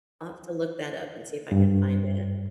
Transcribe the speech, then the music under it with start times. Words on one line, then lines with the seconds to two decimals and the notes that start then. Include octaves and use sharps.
I'll have to look that up and see if I can find it.
1.52 G2